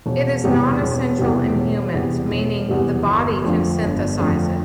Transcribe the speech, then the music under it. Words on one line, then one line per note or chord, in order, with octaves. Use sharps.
It is non-essential in humans, meaning the body can synthesize it.
E1
E2 C3 G3
E1
E2 C3 G3
E1
E2 C3 G3
E1
E2 C3 G3
G1
F2 D3 F3 A3
G1
F2 D3 F3 A3